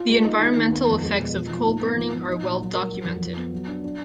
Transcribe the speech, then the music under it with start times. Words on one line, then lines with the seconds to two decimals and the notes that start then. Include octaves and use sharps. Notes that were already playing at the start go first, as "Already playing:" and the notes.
The environmental effects of coal burning are well documented.
Already playing: F4
0.09 G#3
0.25 D#4
0.40 D#3
0.57 D#2
0.71 B3
0.87 F2
1.03 G#3
1.19 B2
1.34 F3
1.49 F3
1.65 G#2
1.81 B3
1.96 F3
2.12 F3
2.28 D#4
2.43 A#2
2.59 F#3
2.74 A#4
2.90 F#3
3.05 F2
3.20 F3
3.36 B3
3.52 F#3
3.67 D4
3.83 D4